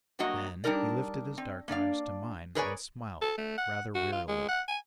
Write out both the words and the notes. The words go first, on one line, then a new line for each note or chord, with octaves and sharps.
Then he lifted his dark eyes to mine, and smiled, rather wearily.
G2 F#3 A#3 F#4 D#5
G3 D4 D#4 A#4 D5
C4
A#3 D4 D5 F5
G#4 A#4 B4 C#5 D5 G#5
A4
A3
F#5
F#4
F4
G#3
F#5
G#5